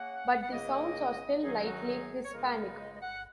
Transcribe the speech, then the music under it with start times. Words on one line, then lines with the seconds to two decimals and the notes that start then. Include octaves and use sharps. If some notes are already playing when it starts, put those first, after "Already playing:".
But the sounds are still lightly Hispanic.
Already playing: C#3 A#3 C#4 F#5
0.42 F#5
0.51 C#2 C#3 A#3 D#5
1.42 F#2 D#3 F#3 D#4 G#4
1.56 G#4
1.65 F#4
1.84 A#4
1.89 G#4
2.25 C#5
2.34 C#2 C#3 G#3 D#4 A#4
2.80 D#5
2.95 D#5
3.02 F#5